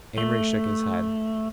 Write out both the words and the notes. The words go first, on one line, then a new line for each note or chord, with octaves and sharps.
Amory shook his head.
A3